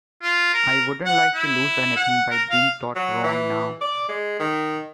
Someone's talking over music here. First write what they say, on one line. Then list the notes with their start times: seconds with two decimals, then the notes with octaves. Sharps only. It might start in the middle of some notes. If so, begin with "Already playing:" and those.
I wouldn't like to lose anything by being taught wrong now.
0.22 F4
0.53 A#4
1.05 F#5
1.34 E4
1.96 F#5
2.30 A#4
2.50 F5
2.96 F#3
3.24 E3
3.81 D5
4.09 G#3
4.40 D#3